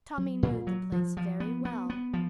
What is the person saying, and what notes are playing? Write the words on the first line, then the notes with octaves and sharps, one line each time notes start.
Tommy knew the place very well.
F#3
A#2
F#3
F3
F3
B3
B3
B3
F3